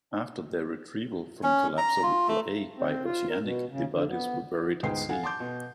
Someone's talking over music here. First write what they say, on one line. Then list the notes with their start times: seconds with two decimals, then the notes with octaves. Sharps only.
After their retrieval from Collapsible A by "Oceanic", the bodies were buried at sea.
1.43 C#4
1.78 A#5
2.03 F4
2.28 A3
2.77 C4
3.04 F4
3.29 A#4
3.42 B2
3.70 C#3
3.92 D3
4.10 B3
4.83 D2 G#2 B3 G#4 G5 C7
5.09 A4 F5 F#5 G#5
5.23 A5 C6 D6 G6
5.40 B2